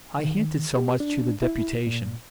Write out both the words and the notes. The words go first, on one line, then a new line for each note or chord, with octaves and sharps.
I hinted so much to the deputation.
D#3
G4
D4
E4
A#2